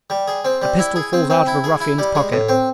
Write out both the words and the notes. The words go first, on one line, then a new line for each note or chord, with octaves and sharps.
A pistol falls out of a ruffian's pocket.
G3
G#4
C4
G3
E4
G#4
C4
C4
E4
G#4
E4
G3
G#3
A2
C4